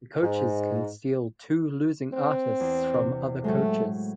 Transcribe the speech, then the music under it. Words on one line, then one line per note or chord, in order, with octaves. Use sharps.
The coaches can steal two losing artists from other coaches.
G#2
C4
E2
C3 D4
A2 F#3 G#3 A3